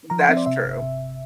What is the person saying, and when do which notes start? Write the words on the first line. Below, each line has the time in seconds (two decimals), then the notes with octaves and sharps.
that's true.
0.10 F3 A#5
0.20 C6
0.29 C4 E5
0.37 D5
0.46 C3 E5
0.65 G1
0.82 C3